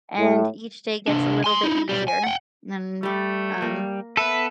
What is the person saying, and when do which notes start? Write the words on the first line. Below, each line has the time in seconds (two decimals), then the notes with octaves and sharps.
and each day gets a little bit easier. And, um,
0.18 A2
1.08 C3 D4
1.44 G#5 C6
1.63 D#4 E4
1.89 B1 G3
2.08 G#5
2.24 F#5 G5
3.03 G3 A3 G4
3.62 G3 A#3
4.17 B3 A4 B4 E5